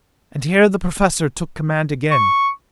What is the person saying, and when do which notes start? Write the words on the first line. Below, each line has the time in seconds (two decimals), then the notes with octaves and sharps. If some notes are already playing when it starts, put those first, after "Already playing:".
And here the Professor took command again.
2.11 C#6